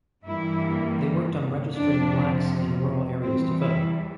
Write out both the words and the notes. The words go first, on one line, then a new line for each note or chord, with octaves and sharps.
They worked on registering blacks in rural areas to vote.
G2 E3 G3 A#3 E4
F2 C3 F3 D4
E2 E3 G3 C4
E4